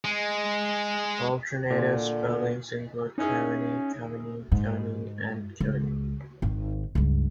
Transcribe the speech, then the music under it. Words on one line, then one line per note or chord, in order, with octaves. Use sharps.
Alternative spellings include Keaveny, Keveney, Keavney, and Kiveney.
G#3
A#2 D3
C#4 D#4 E4 G#4
G#2
C#2
G#1 D#3
C#2 G2